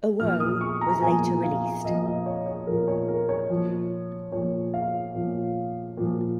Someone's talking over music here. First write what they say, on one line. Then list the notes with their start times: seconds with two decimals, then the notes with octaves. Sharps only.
Owoh was later released.
0.20 A#2 F3 F6
0.40 D#6
0.61 C#6
0.81 A#5
0.95 A#5
1.02 A#2 F3 G#5
1.43 F5
1.85 A#2 F3 D#5
2.06 D#5
2.26 C#5
2.46 C#5
2.67 A#2 F3 A#4
2.88 C#5
3.08 A#4
3.29 C#5
3.50 A#2 F3
4.32 A#2 F3 C#5
4.74 F5
5.15 A#2 F3
5.97 A#2 F3